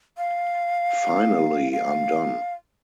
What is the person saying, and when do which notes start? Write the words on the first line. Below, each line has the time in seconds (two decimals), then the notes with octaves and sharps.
Finally, I'm done!
0.18 F5
1.72 F5